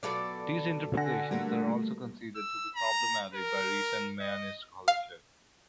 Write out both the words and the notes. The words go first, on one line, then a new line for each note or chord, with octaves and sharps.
These interpretations are also considered to be problematic by recent Mayanist scholarship.
B2 F#3 B3 F4 A4 D5
D3 F#5 G#5 A#6
G3 A3 A#3 F4 A#4
E6
A#5
A#4
D#5
F5